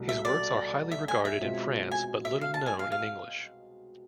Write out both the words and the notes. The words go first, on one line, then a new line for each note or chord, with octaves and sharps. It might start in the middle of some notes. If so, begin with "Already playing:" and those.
His works are highly regarded in France but little known in English.
Already playing: C2 B2 A3
E5
D5
E5
G#5
E5
B2 G#3 C4 F4
G#5
E5
F5
A5
G#5
F5
F5